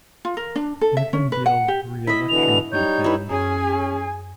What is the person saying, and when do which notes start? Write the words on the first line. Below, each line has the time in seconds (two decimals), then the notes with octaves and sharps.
Nathan Deal's re-election campaign.
0.25 F4
0.37 A#4
0.56 D4
0.81 A4
0.97 E5
1.13 C#4
1.32 B4
1.46 F#5
1.68 G4
2.07 E4 D#5 B6
2.29 B2 D3 E3 F7
2.72 G3 D#4 C#5 G6
3.04 E4 B4
3.30 F#2 C#4 G#4 G#5